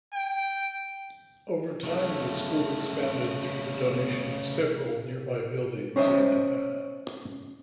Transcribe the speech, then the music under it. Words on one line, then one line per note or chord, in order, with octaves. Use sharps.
Over time, the school expanded through the donation of several nearby buildings in Havana.
G5
C#3 A3
C#4 C5 D#5 E5